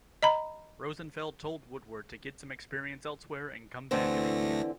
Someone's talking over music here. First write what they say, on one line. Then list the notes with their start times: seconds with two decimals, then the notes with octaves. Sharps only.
Rosenfeld told Woodward to get some experience elsewhere and come back in a year.
0.23 D#5 A#5 B5
3.91 D2 D3 E3 A3 C4 A#6